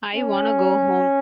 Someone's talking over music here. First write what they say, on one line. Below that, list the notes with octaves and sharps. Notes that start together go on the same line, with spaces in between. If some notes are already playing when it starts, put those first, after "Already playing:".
I wanna go home.
C#4